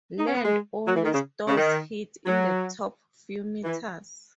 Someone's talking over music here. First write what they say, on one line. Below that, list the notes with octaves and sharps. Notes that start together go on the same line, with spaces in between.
Land only stores heat in the top few meters.
D#4
C#4
B3
G#3
F#3
E3
D#3
C#3
C#3
D#3
F#3
E3